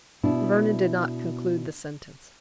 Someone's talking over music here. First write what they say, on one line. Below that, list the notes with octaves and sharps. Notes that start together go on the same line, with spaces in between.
Vernon did not conclude the sentence.
B2 D4 E4